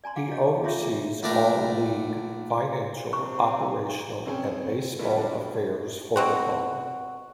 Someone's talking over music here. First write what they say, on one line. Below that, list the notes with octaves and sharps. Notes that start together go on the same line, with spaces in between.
He oversees all league, financial, operational and baseball affairs for the club.
D5 G#5 A#5 C6
F5 F#5 D6
F#4 C#5 D#5 F5
G4
F4 G4 C#5 E5 C6 D6
G#4 A#5
A#1 A3 D4 A#4
C3 C#6
C4 C#4 G#4 C#5 G5
F3 G3 G#3 B3 E4 F#4
F#2 G3 G#3 D4
B2 C4 F#4